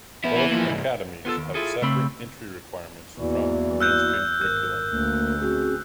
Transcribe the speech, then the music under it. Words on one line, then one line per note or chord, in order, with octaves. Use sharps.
Both academies have separate entry requirements from the mainstream curriculum.
B3 E4
E3
A#2 F3
C#2 G#2
B3 F4 G#4 A4
D#2
E4 F4 G#4 A4
C#3 A3 C4 B5
E2 E3 A#3 E4 F#4 D5
E6 F#6 G6
G#1 G#2 A#4 F#6
D2 A#3
C4 C#4 F#4 G#4